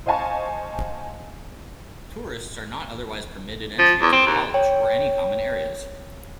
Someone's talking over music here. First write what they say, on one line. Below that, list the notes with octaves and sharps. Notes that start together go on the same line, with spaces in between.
Tourists are not otherwise permitted entry to the college or any common areas.
C5 D#5 F5 G#5 A5 C#6
F3
E2
C4
D#2
C#5 G5